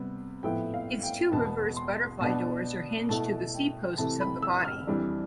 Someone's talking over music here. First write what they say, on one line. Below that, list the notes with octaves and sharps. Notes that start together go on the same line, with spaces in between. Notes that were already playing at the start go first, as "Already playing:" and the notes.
Its two reverse butterfly doors are hinged to the C-posts of the body.
Already playing: C3 G3 B3
A2 F3 B3 E4 G5
F5
G5
E2 B2 B3 A5
C6
B2 B3 D4 A5
B2 A3 E4 A5
G5
C3 E3 A3 A5
B5
E6
F6
F2 E3 G3 D4